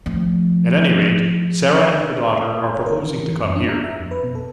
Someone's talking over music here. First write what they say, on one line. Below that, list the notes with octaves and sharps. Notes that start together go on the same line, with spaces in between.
"At any rate, Sarah and her daughter are proposing to come here."
F3 A3
C#5
A#4
E3
E3
F#2
D4
A#5
E5
F2
B4
B2
A4